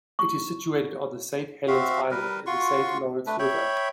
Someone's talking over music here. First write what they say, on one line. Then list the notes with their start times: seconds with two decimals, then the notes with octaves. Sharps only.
It is situated on the Saint Helen's Island in the Saint Lawrence River.
0.19 C#6
1.68 C4 F#4 E5 F5
2.11 G3 A#4 B4
2.46 F4 F#4 C6 C#6
3.27 A3 D4 B4
3.39 C#5 E5 G5 B5